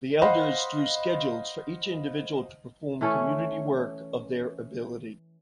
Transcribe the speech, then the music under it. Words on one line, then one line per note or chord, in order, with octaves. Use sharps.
The elders draw schedules for each individual to perform community work of their ability.
C5 D#5 F5 F#5 B5 C6
E3 A3 C#4 A4